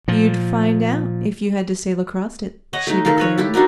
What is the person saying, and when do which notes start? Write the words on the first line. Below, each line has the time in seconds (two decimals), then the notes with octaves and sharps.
"You'd find out, if you had to sail across it," she declared.
0.08 A#2 F3
2.73 C#5 D#5 F#5
2.87 A3 D#4
3.05 D#3 A4 A#4 F5
3.18 A4 B4 C#5
3.38 E4 G4 A4
3.54 D4 D#4 F#4 A#4